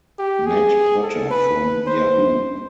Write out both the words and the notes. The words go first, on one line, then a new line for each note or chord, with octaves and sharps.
Matt Potter from Yahoo!
G4
G#4
A4
B4
C5